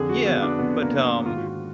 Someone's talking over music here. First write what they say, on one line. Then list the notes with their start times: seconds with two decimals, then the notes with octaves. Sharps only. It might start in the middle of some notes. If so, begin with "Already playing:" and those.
yeah. But, um,
Already playing: F2 D3 G#4
0.09 F#4
0.26 B3
0.42 D4
0.59 F2 D3 B3
0.82 A#3
1.26 G#2 D#3 F4
1.36 F#4
1.47 F4